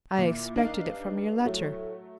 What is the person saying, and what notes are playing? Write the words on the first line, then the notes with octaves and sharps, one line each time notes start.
"I expected it from your letter."
A#2 E4
D#3 D4 D#4 F5
G2
A2 F#3 A3